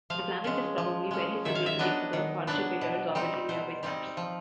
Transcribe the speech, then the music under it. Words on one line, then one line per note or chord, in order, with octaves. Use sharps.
The planet is probably very similar to the other "hot Jupiters" orbiting nearby stars.
F3 F5
G#3 C#4
F3
G#3 C#4
D#3 E5
F5
E5
F#3 B3 D4 D#5
D#3
F#3 B3 D4
B2
G3 C4 D#4
B2 C5
G3 C4 D#4
F3